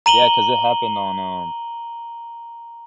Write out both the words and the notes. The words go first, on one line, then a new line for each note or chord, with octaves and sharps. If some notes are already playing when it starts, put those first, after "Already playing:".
Yeah, 'cause it happened on, um,
A#5 D#7 F#7 G7